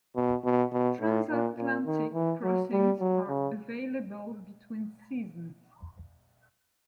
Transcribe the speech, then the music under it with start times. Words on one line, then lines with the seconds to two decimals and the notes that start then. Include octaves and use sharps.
Transatlantic crossings are available between seasons.
0.16 B2
0.44 B2
0.73 B2
1.01 A2
1.29 A#2
1.57 A#2
1.86 D#3
2.14 E3
2.43 F#3
2.72 G3
3.00 F#3
3.28 C#3